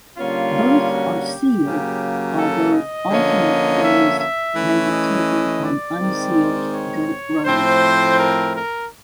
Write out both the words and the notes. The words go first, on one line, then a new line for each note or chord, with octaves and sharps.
Both are sealed, although alternate ways may be taken on unsealed dirt roads.
D3 G3 A#3 C#4 F4
F#4
G4
C#3 F#3 A#3
A4
D#5
D3 F3 A#3 C#4
E5
E5
E3 A3 C#4
D#5
D5
D#3 G#3 C4
C#5
A2 F3 A3 C4 C5
A#4
A#4